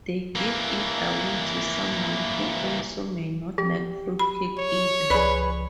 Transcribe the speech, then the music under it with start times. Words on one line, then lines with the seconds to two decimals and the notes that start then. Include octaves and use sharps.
They give it away to someone who also may not like fruitcake either.
0.36 E3 A#3
3.58 F3 G4
4.19 B5
4.58 C#5
5.10 C#2 F3 G#4 B4 D5 B5